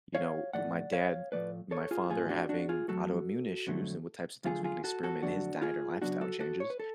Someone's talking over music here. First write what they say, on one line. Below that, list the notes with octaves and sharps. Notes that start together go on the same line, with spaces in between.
you know, my dad, my father, having autoimmune issues and what types of things we experiment in his diet or lifestyle changes
C#5 F5
A2 F3 A3 D5 F#5
C#5 F5
A2 F3 A3 B4 D5
A4 C#5
F4 G#4
A2 F3 A3 F4 G#4
D4 F#4
D4 F#4
F4 G#4
F2 D3 F#3 A3 F#4 A4
F2 D3 F#3 A3
F2 D3 F#3 A3 F4 G#4
F4 G#4
F#4 A4
F#4 A4
F2 D3 F#3 A3 D4 F#4
F4 G#4
C#3 F#3 B3 D4 F#4
F#4 A4
F#4 A4
C#5
B4
A4